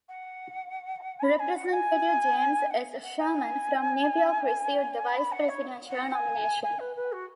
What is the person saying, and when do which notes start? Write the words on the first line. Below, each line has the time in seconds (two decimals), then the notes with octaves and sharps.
Representative James S. Sherman from New York received the vice-presidential nomination.
0.09 F#5
1.19 G#5
1.23 B5
1.39 G#5
1.55 F#5
1.72 G#5
2.70 F#5
3.03 F#5
3.20 G#5
5.16 B5
5.32 F#5
5.49 C#5
5.89 F#5
6.14 G#5
6.63 G#5
6.79 B4
6.96 B4
7.12 F#4